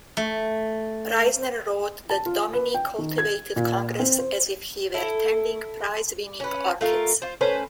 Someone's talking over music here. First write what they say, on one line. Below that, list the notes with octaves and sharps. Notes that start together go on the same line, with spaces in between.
Reisner wrote that Dominy cultivated Congress as if he were tending prize-winning orchids ...
A3
A5
F4
B4
G5
D#3
G#6
A#2
C4
C5
E4 A4
C#4 B4
A3 F4 G#4 A#4
F4 C5
A3 C#4 B4 C5